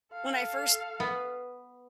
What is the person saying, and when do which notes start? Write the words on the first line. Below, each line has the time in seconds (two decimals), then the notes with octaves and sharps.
when I first
0.13 A4 F5
1.00 B3